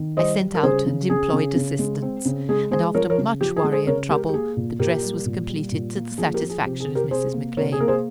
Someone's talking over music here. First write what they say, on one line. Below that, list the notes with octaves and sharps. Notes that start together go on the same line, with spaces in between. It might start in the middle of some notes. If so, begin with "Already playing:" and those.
I sent out and employed assistants, and, after much worry and trouble, the dress was completed to the satisfaction of Mrs. McClean.
Already playing: D#3
G3 C5 D#5
G3
A#4
C#3 G#4 C5
C#3
C#3 G#4
C#3
C#3
G#3
C4
C#3
G#3 G#4
G#3 G#4 C5
F3 A#4 C#5
A#4 C#5
C#3
F3 G4
G#4
G#3
G#4 C5
C#3 A#4 C#5
G#3 G4 A#4
G4
A#3 G#4
A#2
A#2 G4 A#4
G3
A#2
G3
A#2
A#3
F3 G#4
G4 A#4
F3
G#4
C3 G4
G#4
C3
G4 A#4
C3 G#4 C5
A#3
C3 A#4 C#5
G#4
A#3 A#4
G#4 C5